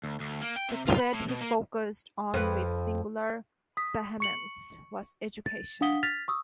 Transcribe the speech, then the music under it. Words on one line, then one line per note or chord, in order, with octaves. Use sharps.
The thread he focused on with singular vehemence was education.
D2
D2
A#3
G5
C3
F4
B5
A2
B2
A#3
F2 B4
D#6 B6
C#6 C#7 F#7
A6
D4 F5 F#5 D#6 B6 G7
F6 A6 B6 F7
C#6 D#6 E6